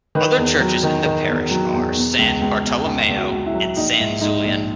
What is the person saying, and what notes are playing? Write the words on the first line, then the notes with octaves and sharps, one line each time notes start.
Other churches in the parish are San Bartolomeo and San Zulian.
D#3 B4
E2
F#3
D#3
D#3
E2
F#3
E2
B2
C#2
C#2
B2
C#2 G#4
C#2
F#4
C#2
E4
F#3
A#1 D#4
G#2 E4
G#2 D#4
A#1